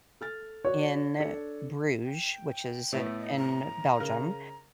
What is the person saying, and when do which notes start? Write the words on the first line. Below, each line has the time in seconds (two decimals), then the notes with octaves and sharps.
in Bruges, which is, eh in Belgium,
0.21 A4 F6 A6
0.65 F#4 C#5 D5
1.19 D4 A4 C#7
2.04 G5
2.92 A2 A3 B3
3.20 D#5
3.36 A#5
4.00 C#3 A#4